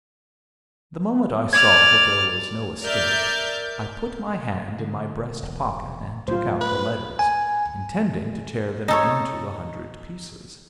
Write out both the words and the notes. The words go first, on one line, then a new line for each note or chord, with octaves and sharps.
The moment I saw that there was no escape, I put my hand in my breast-pocket and took out the letters, intending to tear them into a hundred pieces.
D5 F6 G#6
A#4 D5 E5 F6 G6 A6
D3
E1
A2 F#3 G3 F4 C5
B4
G#5
D#4 A4 C#5